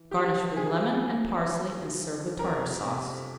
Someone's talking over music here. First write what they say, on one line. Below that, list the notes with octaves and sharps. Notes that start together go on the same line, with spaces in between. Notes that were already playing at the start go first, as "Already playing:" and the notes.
Garnish with lemon and parsley and serve with Tartar Sauce.
Already playing: E3
E3 G4
F3 G#4
F3
F3
F3
F2 A#4
C3